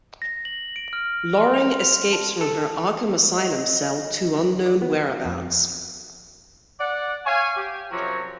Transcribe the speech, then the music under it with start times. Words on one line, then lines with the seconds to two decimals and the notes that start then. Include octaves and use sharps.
Loring escapes from her Arkham Asylum cell to unknown whereabouts.
0.22 A#6
0.45 F#7
0.76 D7
0.93 F6
1.38 C6
1.54 F7
1.79 F7
2.13 A5
2.41 A4
3.34 D#5
4.66 D5
4.82 B3
5.11 F5
5.25 F2
6.79 D5 F#5
7.26 C#5 F5 G#5
7.57 G4
7.91 F#2 C3 F3 F#3 C#5 A#5